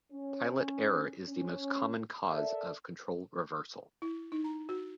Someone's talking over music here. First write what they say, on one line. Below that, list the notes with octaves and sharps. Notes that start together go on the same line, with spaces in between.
Pilot error is the most common cause of control reversal.
C#4
C#4
A4 A#4 D5 E5
E4
D#4
A#5
F#4